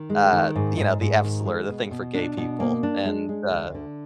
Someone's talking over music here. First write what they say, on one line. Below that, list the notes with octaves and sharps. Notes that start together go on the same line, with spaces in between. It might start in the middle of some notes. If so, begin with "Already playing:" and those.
uh, you know, the F slur, the thing for gay people. And, uh
Already playing: D#3
G#3
D#3
G#2
G#2
G#2
D#3
G#3
B2
B2
D4
B2
A#3
D4
G#3
G#3
D2
D3